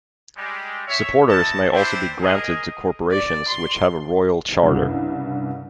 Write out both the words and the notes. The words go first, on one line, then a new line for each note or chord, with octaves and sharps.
Supporters may also be granted to corporations which have a royal charter.
G3 G#3 G4
C#5 E5
E4 F#4 D#5 A5
C4 D4 E4 G4 B4 C5
G#4 A#4 D#5
D5
C6
C2 G2 C#3